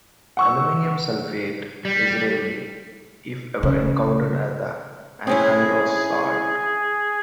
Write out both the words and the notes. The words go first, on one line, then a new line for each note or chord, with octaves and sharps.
Aluminium sulfate is rarely, if ever, encountered as the anhydrous salt.
F#5 C#6 E6
G3
C#3
C4 C#4 E4 G#4